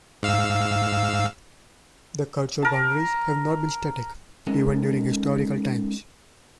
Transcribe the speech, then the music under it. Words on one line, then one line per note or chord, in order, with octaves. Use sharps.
The cultural boundaries have not been static, even during historical times.
G#2 F5 E6
A#4 A5
G#3 C#4 D#4 A4 A#4